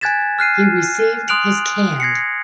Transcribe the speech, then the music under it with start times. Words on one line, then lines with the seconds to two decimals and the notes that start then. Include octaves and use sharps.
He received his cand.
0.01 G#5 F#6 G#6 A6 B6 E7
0.39 F6 F#6 C7 D#7
1.28 C6 D#6 F#6 D7 F7 F#7
2.00 G#6 A#6 C7 C#7